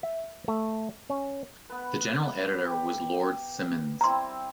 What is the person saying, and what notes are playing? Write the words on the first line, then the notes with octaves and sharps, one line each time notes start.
The general editor was Lord Simonds.
E5
A3
C#4
B3 B4
G4
G3 C4 E4 A#5 C6